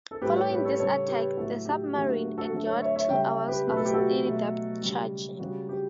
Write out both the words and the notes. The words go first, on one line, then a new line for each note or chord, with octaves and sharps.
Following this attack, the submarine endured two hours of steady depth charging.
A4
A2 G3 G4 B4
A4 C#5
G4 B4
A4 C#5
C#3 G3 A4 C#5
G4 B4
A2 F#3 A3 F#4 A4
G4
D3 F#3 A3 G4
F#4 A4
F#4 A4
D3 F#3 A3 F#4
A4 C#5
C#5 E5
C#5 E5
C#3 G3 E5 G5
G4 B4
B2 F#3 A3 B4
A4
G4
F#4 A4
B2 F#3 A3
C#3 G3
C#3 G3 F#4
G4